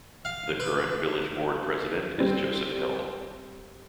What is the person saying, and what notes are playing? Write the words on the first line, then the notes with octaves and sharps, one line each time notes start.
The current Village Board President is Joseph Helm.
F5
B4
G3 C4